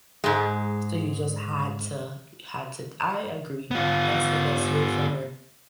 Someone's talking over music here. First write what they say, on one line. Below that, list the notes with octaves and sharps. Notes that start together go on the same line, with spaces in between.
S so you just had to, uh, had to I agree, that's the best way for her.
G#2 G#3
B3 F4